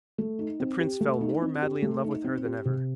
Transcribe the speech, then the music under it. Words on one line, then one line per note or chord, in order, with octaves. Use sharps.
The prince fell more madly in love with her than ever.
A3
D#4
C4
G4
A3
D#4
C4
G4
A3
D#4
C4
G4
C3